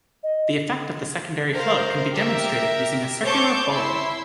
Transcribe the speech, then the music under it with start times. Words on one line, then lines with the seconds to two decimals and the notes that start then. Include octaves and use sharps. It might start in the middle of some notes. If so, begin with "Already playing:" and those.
The effect of the secondary flow can be demonstrated using a circular bowl.
0.23 D#5
1.54 A#4 C5 F5
2.14 G4 A#4 E5
3.23 C5 C#5 A5 C#6 D6 G6
3.71 E4 C6 E6